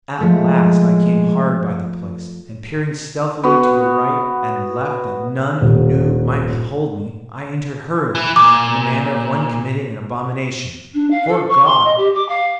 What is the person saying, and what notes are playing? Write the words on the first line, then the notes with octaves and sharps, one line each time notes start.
At last I came hard by the place, and peering stealthily to the right and left that none who knew might behold me, I entered hurriedly, in the manner of one committing an abomination. 'Fore God!
F3 G#3 A3
B3 F#4
D#1
E3
A#2 D6
D4
F5
A4
C#6
C6
D#5
G4
D6
F5